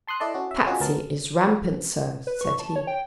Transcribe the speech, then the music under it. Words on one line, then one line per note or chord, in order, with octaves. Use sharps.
"Patsy is rampant, sir," said he.
A5 C6 D#6 F#6
E4 A4 D5 D#5 A5
C#4 F#4
E5
C#4 F4 F#4 G#4 D#5
D2 B3 A#4 A5
B4
C#6
A5
C#5
G5